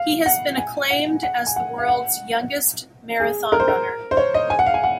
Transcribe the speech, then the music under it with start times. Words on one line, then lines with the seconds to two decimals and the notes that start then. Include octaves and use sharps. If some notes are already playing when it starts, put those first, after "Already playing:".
He has been acclaimed as the world's youngest marathon runner.
Already playing: F5
0.26 F#5
0.58 G#5
0.90 F#5
1.23 F#5
1.47 G#5
1.56 F#5
1.78 F5
1.88 F#5
3.20 G#4
3.52 A#4
3.60 C5
3.68 A#4
4.11 C5
4.17 C#5
4.34 D#5
4.50 G#5
4.59 F#5
4.66 F5
4.74 G#5
4.83 F#5